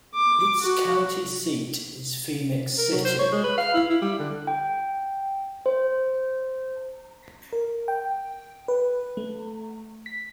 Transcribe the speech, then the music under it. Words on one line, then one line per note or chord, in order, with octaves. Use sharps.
Its county seat is Phenix City.
D6
F#4
A#4
F#3
C5
C#5
G#3
B4
F5
E4
E4
G3
D3
G5
C5
A#4
G5
B4
A3
B6